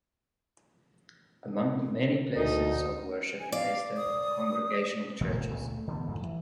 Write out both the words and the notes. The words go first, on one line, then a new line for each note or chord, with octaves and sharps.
Among the many places of worship in Leicester are Congregational churches.
D2 D#4
G#5
D5 F5
D#6
G1 A#2 D#3 A3
C#2 A#2 C#3
A3
D3 E3 G3 B3
F2 G#2
E3